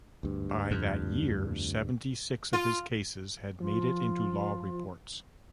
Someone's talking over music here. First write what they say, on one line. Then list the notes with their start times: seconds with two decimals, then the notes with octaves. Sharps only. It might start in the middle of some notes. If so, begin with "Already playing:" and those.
By that year, seventy-six of his cases had made it into law reports.
0.23 D2 G2
0.71 F2
2.53 F4
3.60 F3 F4